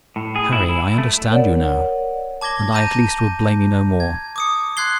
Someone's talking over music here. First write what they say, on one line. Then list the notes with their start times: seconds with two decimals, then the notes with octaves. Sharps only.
But, Harry, I understand you now, and I at least will blame you no more.
0.16 A2
0.36 G#4
0.52 E4
0.69 E4
0.98 A3
1.31 A#4 C#5 D5 F#5
2.41 A5 D6 G#6 A#6 G7
2.72 A5 A#5 G6 A#6 D#7
4.00 G#6
4.36 D6 D#6 C#7
4.77 C6 F#6 G#6 C7 G7